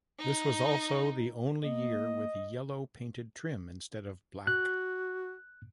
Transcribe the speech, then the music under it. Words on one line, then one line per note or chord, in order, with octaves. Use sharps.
This was also the only year with yellow painted trim instead of black.
D#4
A#3 D#5
F#4 F#6